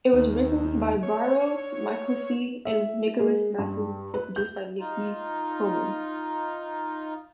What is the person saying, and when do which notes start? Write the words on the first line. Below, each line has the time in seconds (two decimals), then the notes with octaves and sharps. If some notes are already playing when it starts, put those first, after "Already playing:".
It was written by Viorel Mihalcea and Nicolas Masson and produced by Niki Coman.
0.13 D#2
1.03 C#5
2.65 E5
3.19 G#3
3.58 G2
4.14 B4
4.36 G6
4.80 D#4 F4